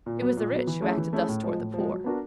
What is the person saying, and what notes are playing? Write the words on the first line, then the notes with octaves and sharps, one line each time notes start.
It was the rich who acted thus towards the poor.
A#2
F#3 B3
A#2
F#3 B3
E3
A3 C#4 E4 G#4
E3
A3 C#4 E4 G#4
A2
F3 G#3
A2
F3 G#3
F#3
B3 D4 F#4 A#4